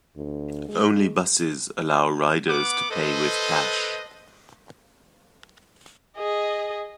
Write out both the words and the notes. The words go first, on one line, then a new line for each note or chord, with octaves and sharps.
Only buses allow riders to pay with cash.
D2
G#3
B3 F#5 D6
A4 B4 C5 D#5
G#4 D#5